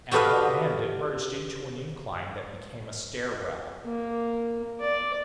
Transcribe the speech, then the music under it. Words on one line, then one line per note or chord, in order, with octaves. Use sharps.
At one end it merged into an incline that became a stairwell.
F#4 G4 A4 B4 D#5 F5
A#3
D5